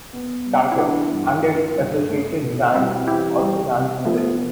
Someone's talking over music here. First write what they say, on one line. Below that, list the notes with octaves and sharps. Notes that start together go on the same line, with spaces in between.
Target, and its associated brands, also ran some races.
B3
G3
E4
E3 B3 D4
G2
F3
G2
A3
B2
G3 C4 E4
E3 E4 G4
G3
C3
F3 A3 B3